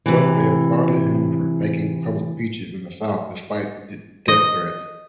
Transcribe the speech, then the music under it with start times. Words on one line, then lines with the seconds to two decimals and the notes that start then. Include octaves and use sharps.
But they applauded him for making public speeches in the South despite death threats.
0.06 C3 E3
4.28 D#5